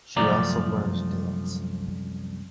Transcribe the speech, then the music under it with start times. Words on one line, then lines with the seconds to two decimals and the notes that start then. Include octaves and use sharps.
She also learned dance.
0.16 C2 F#2 F3 A3 D5 A#5